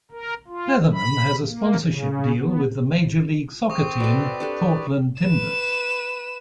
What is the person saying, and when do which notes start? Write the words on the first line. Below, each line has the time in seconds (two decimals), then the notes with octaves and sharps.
Leatherman has a sponsorship deal with the Major League Soccer team Portland Timbers.
0.11 A#4
0.48 F4
0.93 B5
1.47 A#3
1.82 C#3
2.40 B3
3.70 C4 C#6 D#6
4.00 F#4 A4 B4 D5
4.40 D4 G4 A4
5.21 B4 E7